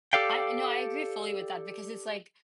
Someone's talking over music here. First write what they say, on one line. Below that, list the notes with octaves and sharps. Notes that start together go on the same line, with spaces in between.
I I know, I agree fully with that because it's, like,
G4 A4 D5 F5 G5